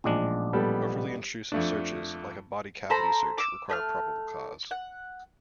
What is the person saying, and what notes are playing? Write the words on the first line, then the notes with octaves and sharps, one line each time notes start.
Overly intrusive searches, like a body cavity search, require probable cause.
A1 A#2 F3 G#3 D4
G3 B3 A4
F2 A3 D4
A4 C5 A#5 B5
D6 E6
A3 B5 F6
F#5